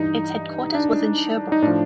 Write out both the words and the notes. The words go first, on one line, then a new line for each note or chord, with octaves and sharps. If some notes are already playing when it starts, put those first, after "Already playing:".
Its headquarters was in Sherbrooke.
Already playing: G2 E3 D#4
D4
D#4
A2 F3 D4